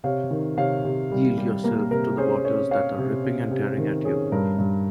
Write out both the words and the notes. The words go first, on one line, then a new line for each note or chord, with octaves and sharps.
Yield yourself to the waters that are ripping and tearing at you.
C3 C#5 F5
D#3
C3 C#5 F5
C3
G3
G3
A#3 A#4
C3 A#4
C#4 G#4 C5
C#4
C#4 C#5 F5
C3
C#4
C3
D#3
C#4 G#4
G2 A#4
G2